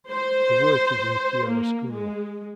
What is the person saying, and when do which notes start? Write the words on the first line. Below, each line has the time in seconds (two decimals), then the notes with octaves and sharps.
The work is in chiaroscuro.
0.10 C5
1.48 A#3
1.91 G#3